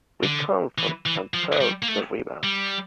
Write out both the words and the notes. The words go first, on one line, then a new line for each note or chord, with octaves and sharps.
We come from Sant Pere de Ribes.
D3
E3
E3
F3
G3
A#3
A3
G3